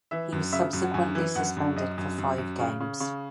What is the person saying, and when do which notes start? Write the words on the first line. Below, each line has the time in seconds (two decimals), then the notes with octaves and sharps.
He was subsequently suspended for five games.
0.11 E3 E5
0.32 F#2
0.52 C#3 E5
0.73 F#2
0.82 F#5
0.94 F#2 G#5
1.15 E3
1.35 F#2 F#5
1.57 F#2
1.76 F#2 D#5
1.98 F#2
2.18 F#2
2.38 F#2
2.60 C#3
2.80 C#3
3.00 C#3